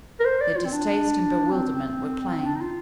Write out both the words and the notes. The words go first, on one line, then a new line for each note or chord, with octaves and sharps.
Their distaste and bewilderment were plain.
A#4
C5
D5
F4
C4
D4
C4
D4
D#4
F4